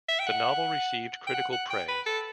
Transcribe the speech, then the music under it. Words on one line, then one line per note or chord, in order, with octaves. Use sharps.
The novel received critical praise.
E5
G5
F#5
G5
F#5
F#5
G5
B4
A4